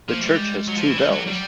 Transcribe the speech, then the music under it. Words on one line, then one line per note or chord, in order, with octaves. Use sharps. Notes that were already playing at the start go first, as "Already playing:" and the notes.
The church has two bells.
F3 A#3
A3
G3 G#3
F#3
F3
E3
F3 G3
G#3
F#3 G3
F#3 G3